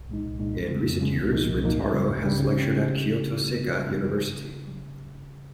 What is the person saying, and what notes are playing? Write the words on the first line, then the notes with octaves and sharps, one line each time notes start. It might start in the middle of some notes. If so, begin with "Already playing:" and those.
In recent years, Rintaro has lectured at Kyoto Seika University.
Already playing: C2
A#2 G#3 D#4
C2
A#2 G#3 D#4
F2
C#3 G#3
F2
C#3 G#3
C2
A#2 F3 A#3 D#4
C2
A#2 F3 A#3 D#4
C#2
C#3 G3
C#2
C#3 G3
C#3
G3 C4 G4
C#3